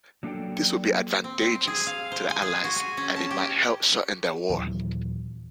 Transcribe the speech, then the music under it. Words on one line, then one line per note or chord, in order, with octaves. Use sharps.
This would be advantageous to the Allies, and it might help shorten the war.
F#3 A#3 D4 A4 D5 G5
C4
C4
G#4
F5
C5
G#5
G#4
F#4
G#5
C#4
A5
G4
D#2 A#2 E3 F#3